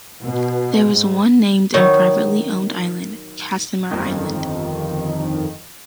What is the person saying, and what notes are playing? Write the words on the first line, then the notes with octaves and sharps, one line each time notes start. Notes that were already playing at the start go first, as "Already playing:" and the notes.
There is one named and privately owned island, Casimir Island.
B2
G#2
D#3 F#3 D#4 E4 C#5
G1 F2 D#3